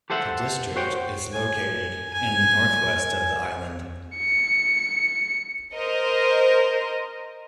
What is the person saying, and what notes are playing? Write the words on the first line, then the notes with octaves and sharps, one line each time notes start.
The district is located in the northwest of the island.
G4 A4 C5 E5 F#5
F#4 C5 C#5 G5
G#5
G#5
C#7
A#4 C5 D#5